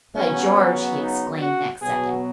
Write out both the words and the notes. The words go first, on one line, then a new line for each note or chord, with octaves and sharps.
"By George!" he exclaimed, next second.
C#3 F#3 B3 C#4
D#4
F#4
B2 F#3 B3 G#4